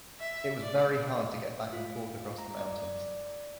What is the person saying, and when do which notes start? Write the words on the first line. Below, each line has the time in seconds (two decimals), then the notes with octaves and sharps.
It was very hard to get back and forth across the mountains.
0.20 E5
0.62 D5
1.73 F4
2.38 A#5
2.57 D5